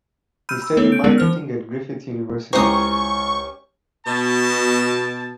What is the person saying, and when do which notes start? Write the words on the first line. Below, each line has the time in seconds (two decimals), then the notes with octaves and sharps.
He studied marketing at Griffith University.
0.49 B5 E6 F6 G6 D#7
0.62 B5 E6
0.77 A3 B3 A4 C#5
0.92 G6 D7
1.04 G#3 B3 C#4 D#4 G#4 A#4
1.18 E3 C5 F6
2.53 C#2 C#4 E4 G4 C5 A#5 C#6 D#6
4.07 B2 A5